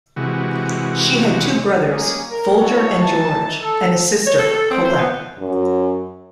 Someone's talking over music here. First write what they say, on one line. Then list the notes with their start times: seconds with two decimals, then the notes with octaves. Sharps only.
She had two brothers, Folger and George, and a sister, Collette.
0.16 C3 E3 G#3 F#4
1.88 G3 G#3 A#3 C#4 G#4
2.30 A#4
2.61 A3 B3 E4 F#4 A4 C#5
3.01 E3 D#4 A5
3.60 A4
4.26 C#5
4.39 A4
4.52 A4
4.71 C4
4.85 C5
4.99 B3
5.39 F#2